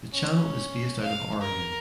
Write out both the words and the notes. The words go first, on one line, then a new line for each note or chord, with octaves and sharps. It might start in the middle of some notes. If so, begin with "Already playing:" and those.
The channel is based out of Oregon.
C#4
F5
A#4